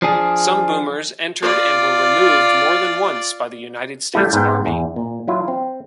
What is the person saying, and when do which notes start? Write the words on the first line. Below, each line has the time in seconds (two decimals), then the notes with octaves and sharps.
Some Boomers entered and were removed more than once by the United States Army.
0.02 F3 D4 G#4
1.42 F4 D5
4.14 G3 A3 E4 F4
4.33 G#2 B3 G5
4.66 E2
4.96 A#2
5.28 F#3 E4 F4
5.48 C4